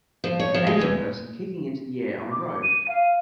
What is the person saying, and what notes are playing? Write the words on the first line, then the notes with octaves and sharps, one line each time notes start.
An Asian person kicking into the air on a road.
F3
C#5
F3
G#3
E2
D6
D#7
F5